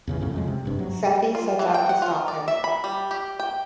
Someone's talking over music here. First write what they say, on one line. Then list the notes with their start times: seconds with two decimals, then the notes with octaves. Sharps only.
Sephie sets out to stop him.
0.07 E2 C#3 E3
0.20 F2 A2 C#3
0.34 F2 C#3 G#3
0.47 C3
0.65 F#1 G2 C3
0.79 F#3
1.35 F4
1.59 E3
1.74 G5
1.89 F#5
2.02 F4
2.28 D5
2.48 E5
2.64 B5
2.84 G3
3.11 G4
3.40 G5